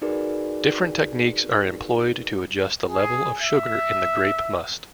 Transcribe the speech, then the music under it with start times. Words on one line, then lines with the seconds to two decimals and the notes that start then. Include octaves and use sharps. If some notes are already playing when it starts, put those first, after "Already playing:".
Different techniques are employed to adjust the level of sugar in the grape must.
0.02 D#4 F#4 G#4 A#4 B4 D5
2.89 G#4
3.41 E5